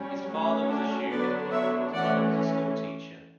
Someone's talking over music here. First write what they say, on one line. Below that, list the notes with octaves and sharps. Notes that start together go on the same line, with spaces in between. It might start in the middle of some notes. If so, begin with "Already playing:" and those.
His father was a shoemaker and his mother was a schoolteacher.
Already playing: G3 C#4
F#3 A3 C#4
D4 F#4
D3 F#3 B3 D4 B4 D5
C#5 E5
E3 A3 C#4 D5 F#5